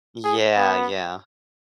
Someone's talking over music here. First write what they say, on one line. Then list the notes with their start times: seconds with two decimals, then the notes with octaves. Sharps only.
Yeah, yeah.
0.24 G#4
0.57 B3